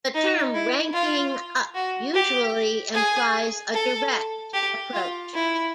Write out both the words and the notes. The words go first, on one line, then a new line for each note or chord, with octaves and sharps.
The term "ranking up" usually implies a direct approach.
D#4
E4
F4
F#4
G4
G#4
A4
G4
F4
E4